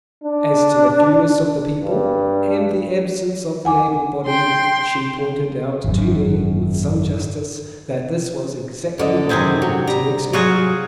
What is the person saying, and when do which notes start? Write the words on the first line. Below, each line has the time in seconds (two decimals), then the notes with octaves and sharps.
As to the fewness of the people, and the absence of the able-bodied, she pointed out to me with some justice that this was exactly what we ought to expect.
0.24 D4
1.82 G2
3.65 F#5 G#5 D6
4.25 G5 C6
5.84 G#1 F#2
8.98 F#2 D3 D#5
9.29 F#2 C3 D#3 C4 E4 G#4
9.62 D3 F#3
9.87 G3 A#5
10.33 F#3 F4 F#4 G#4